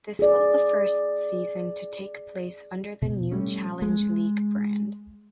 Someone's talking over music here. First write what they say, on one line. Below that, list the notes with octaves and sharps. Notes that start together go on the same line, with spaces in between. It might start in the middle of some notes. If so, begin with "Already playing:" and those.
This was the first season to take place under the new Challenge League brand.
G#4 D5
B2
G3 A3 C#4
G#3